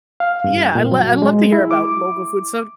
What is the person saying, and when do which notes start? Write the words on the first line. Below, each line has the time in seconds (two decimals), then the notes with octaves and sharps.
Yeah, I lo I love to hear about local food, so
0.20 F5
0.44 G2
0.75 A#2
0.92 F#3
1.22 G#3
1.52 E4
1.71 D6